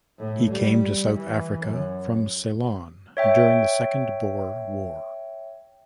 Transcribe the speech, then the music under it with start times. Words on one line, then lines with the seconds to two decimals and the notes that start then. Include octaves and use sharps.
He came to South Africa from Ceylon during the Second Boer War.
0.18 A2
0.49 G3
1.15 E3
1.60 F#2
3.17 C#5 E5 G5